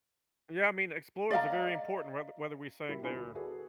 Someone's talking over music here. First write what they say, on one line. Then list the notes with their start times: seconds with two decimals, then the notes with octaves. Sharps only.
Yeah, I mean, explorers are very important whether whether we saying they're,
1.31 D5 D#5 F5 A#5
2.89 G3 E4 A#4
3.02 B3 D4 F4 G#5 B5
3.15 D2
3.35 F#4 G#4 A4 B4 D5